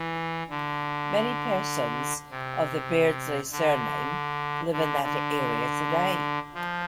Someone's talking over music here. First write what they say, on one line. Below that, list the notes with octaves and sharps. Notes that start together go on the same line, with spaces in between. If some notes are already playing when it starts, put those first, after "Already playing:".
Many persons of the Beardsley surname live in that area today.
Already playing: E3
D3
C3
D3
D3
D3
F3